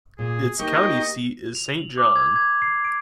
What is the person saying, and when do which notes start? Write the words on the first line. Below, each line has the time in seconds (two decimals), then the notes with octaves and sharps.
Its county seat is Saint John.
0.19 A#2 G#4
0.59 A#3 D#4 G4 D#5 G5 C#6
1.55 F7
1.74 F#7
1.98 D6
2.16 G#6
2.36 G#6
2.62 C7
2.84 D7